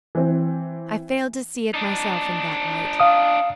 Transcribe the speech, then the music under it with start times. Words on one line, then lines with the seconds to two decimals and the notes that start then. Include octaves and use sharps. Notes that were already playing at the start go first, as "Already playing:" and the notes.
I failed to see it myself in that light.
0.15 E3 C4
1.74 D4 D#4
3.00 F5 D#6